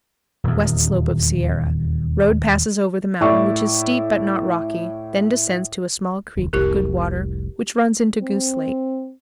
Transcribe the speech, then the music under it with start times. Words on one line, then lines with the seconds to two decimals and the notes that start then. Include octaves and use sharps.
West Slope of Sierra.--Road passes over the mountain, which is steep but not rocky, then descends to a small creek of good water which runs into Goose Lake.
0.44 D#1 E2
3.21 A2 E4 D5 C#6
6.36 F1 D#2
6.53 F1 C2 E4 G4 A#4
8.22 C4